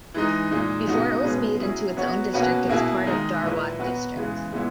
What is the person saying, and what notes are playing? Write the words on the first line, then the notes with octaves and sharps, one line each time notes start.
Before it was made into its own district, it was part of Dharwad District.
E3 G#3 D#4
A#2 G#3 D#4
C#3 F#3 B3 D#4 F#4
B2 G#3 C#4 G#4 B4
F#3 C#4 E4 G#4
F#3 B3 F#4 C#5
B2 A#3 C#4 F#4 B4
B2 A#3 E4 G#4
D#3 G#3 D#4
A#2 A#3 E4 B4
F#3 B3 F#4 B4
C#3 E3 G#3
A#2 G#3 B3 E4